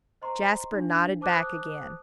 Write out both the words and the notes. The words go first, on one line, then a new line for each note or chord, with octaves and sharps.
Jasper nodded back again.
C5 D#5 A#5 C6 C#6
D4 D#4
C5 A5 D6 D#6 F#6